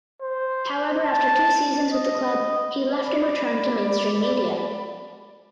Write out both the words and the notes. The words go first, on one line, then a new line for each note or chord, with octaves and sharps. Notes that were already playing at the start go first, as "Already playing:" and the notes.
However after two seasons with the club he left and returned to mainstream media.
C5
A5
D#5
D5 B5